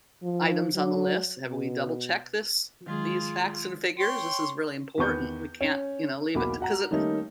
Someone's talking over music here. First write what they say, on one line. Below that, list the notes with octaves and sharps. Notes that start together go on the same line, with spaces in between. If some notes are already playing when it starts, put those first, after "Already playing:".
items on the list. "Have we double checked this these facts and figures? This is really important. We can't, you know, leave it t" 'Cause it
F3
F#3
B2
D#3 F#3 G#3 F4 G#4
C#5 G5 C6
E2 D#3 B4 C#6 G6
C#4
B1 E2 A#3 F#4 B5 D6
F#4 F#5 A#5
D#3 G3 A3 A#3 C#4 D#4